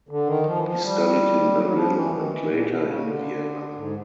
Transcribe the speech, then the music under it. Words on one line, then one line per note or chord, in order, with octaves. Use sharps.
He studied in Berlin, and later in Vienna.
D3
D#3
F3
E3
F3
G3
F#3
F#3
F3
E3
D3
D#3
F3
E3
A#2
B2
C#3
D3
G#2